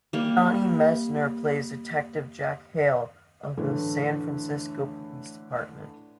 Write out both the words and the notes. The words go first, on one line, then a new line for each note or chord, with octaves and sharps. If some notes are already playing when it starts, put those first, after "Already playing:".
Johnny Messner plays Detective Jack Hale of the San Francisco Police Department.
G3 A#3
A2 D3 E3 A3